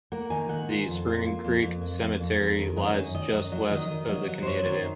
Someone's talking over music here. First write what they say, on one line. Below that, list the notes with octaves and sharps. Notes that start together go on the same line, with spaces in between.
The Spring Creek Cemetery lies just west of the community.
A#3 F#5
D#3 G#5
D#3 F#5
F4
F2
F4
A#3
F2
F2
A#3
F2
F2
F2
D#3
F#2 D#5
C#4
D#3 D#5
F#2
F#3 D#5
D#3 D#5
D#3
F#3 D#5
F#3 D#5
C5
F#2 C#5
D#3 C5